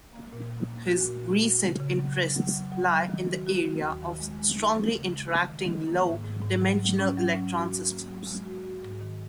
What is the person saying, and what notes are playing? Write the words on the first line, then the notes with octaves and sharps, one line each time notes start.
His recent interests lie in the area of strongly interacting low-dimensional electron systems.
A#3
A#2
A#2
A#3
F#4
A#2
D#4
F#4
C#3
C#3
F#3
F#3
F#3
F#3
F#3
F#3
D#3
F#4
F#4
D#3
D#2
D#3
G#3
G#3
D#4
D#4
C#3
G#3
D#3
D#3
D#3
A#3
G#2
G#2
G#2
F#3
F#3
C#4
F#3
C#4
F#4
F#4
A#3
F#3
G#3
F#4
F#4
G#2
D#3